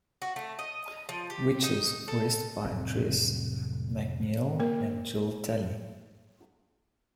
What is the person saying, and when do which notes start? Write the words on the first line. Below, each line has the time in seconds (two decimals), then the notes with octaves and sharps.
Witches voiced by Tress MacNeille and Jill Talley.
0.22 F#4
0.36 A3
0.59 D#5
1.09 F3
1.30 G4
1.63 D#4
2.08 A4
2.65 F1 A2 F#3 C4
4.60 A#3 A#4